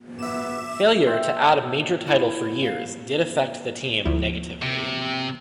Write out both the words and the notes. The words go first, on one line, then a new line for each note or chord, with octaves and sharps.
Failure to add a major title for years did affect the team negatively.
B3 E5 D6 E7
C5 E5 G5
E4
F5
D2 F3 E4
C3